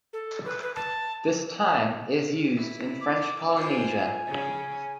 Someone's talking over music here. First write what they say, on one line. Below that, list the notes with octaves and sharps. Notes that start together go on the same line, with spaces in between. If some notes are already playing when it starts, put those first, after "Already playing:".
This time is used in French Polynesia.
A4
B4
B4
A5
E4
D6
F4 C5 G#5
C#3 C#4